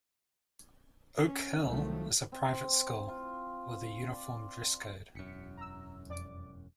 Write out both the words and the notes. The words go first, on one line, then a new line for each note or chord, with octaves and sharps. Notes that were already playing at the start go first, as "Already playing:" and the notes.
Oak Hill is a private school with a uniform dress code.
C#4
C2 D#3 F3 F#3 A3
C4
F4
D5
E1 F#2 B6 C#7
A#5 E6
F2 D5 D6